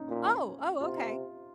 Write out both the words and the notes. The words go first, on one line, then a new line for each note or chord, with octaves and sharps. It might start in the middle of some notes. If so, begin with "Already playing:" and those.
Oh! Oh, okay.
Already playing: C#4 D#4
A#2
C3 F4